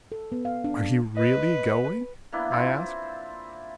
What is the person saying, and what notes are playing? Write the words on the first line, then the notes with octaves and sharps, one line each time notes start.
"Are you really going?" I asked.
A4
B3
F5
D4
B4 D#5
A#3 B3 D4 E4
C4 E4 F4 C5